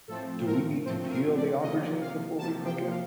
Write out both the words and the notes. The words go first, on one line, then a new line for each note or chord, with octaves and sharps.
Do we need to peel the aubergine before we cook it?
A2 F3 A3 C4 A4
A#4
A2 F3 A3 C4 C5
A#4
D5
C3 F3 A#3 D#5
F5
C3 F3 A#3 A5
G5
F5